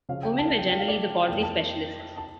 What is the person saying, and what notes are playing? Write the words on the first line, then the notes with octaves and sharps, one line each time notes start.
Women were generally the pottery specialists.
C#3 F3 C#4 F5
G5
A5
A5
G5
G5
F5
D5
F2 E3 A#3 G5
A5
A5